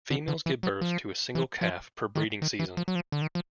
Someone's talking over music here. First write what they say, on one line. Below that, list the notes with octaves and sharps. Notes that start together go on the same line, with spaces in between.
Females give birth to a single calf per breeding season.
D3
D3
E3
F#3
F3
E3
F3
D#3
D#3
E3
F3
F#3
F3
D3
D#3
F3